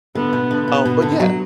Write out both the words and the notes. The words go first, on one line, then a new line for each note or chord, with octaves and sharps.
Um, but, yeah,
D3 B3
B2
D3
B2 B3
B2
D3
F#3